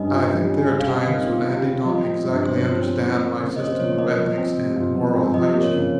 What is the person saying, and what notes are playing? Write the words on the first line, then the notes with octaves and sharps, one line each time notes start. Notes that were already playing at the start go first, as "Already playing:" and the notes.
I think there are times when Andy don't exactly understand my system of ethics and moral hygiene.
Already playing: G2 G3 C#4 D#5
F4
G3
C#4
G3
F5
C4 D#5
D#3 F5
F4
G3
C4
F3 D#5
C4
G2
G2 C5
C#5
F3
C5
C4
F3
A#3
C#3
D#5
C#3 C#5
C5
F3 C#5
A#3 D#5
F3
C4
C3
F4
F3
C4
F3 D#5
A#3
C#5
C#3